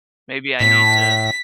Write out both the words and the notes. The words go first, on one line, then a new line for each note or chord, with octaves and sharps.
Maybe I need to
A2 B6